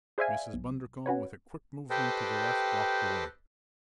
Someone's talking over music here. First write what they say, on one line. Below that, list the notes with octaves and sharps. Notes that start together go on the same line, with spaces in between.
Mrs. Bundercombe, with a quick movement to the left, blocked the way.
G#4 C5 D5 E5 F5 G#5
B1
C#4 F#4 B4 C#5
G4 A4 B4 C5 D#5 G5